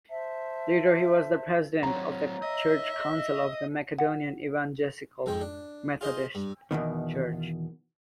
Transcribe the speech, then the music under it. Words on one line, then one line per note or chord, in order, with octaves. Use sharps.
Later he was President of the Church Council of the Macedonian Evangelical Methodist Church.
C5 E5 A5
F#3 C4 C#5 A#5
D#5 E5
F#5
F2 G#2 G#3 G5
D4
F4 G#4 C5 D#5
G2
E2 G2 B2 D#3